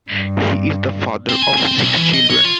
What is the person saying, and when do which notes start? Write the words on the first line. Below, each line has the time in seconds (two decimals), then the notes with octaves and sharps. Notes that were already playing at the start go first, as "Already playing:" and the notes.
He is the father of six children.
0.11 G2
1.29 C4
1.42 G#5
1.57 C4
1.79 B1
1.96 E3
2.14 D#5
2.30 C#5
2.44 F4